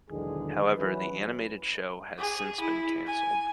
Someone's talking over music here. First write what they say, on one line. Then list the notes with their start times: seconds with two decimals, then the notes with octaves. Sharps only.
However, the animated show has since been cancelled.
0.11 B1 E2 D3 D#3 G#3 G#4
0.76 E3 F#3 C#4 B4
2.18 G#4
2.60 E4
3.06 G#5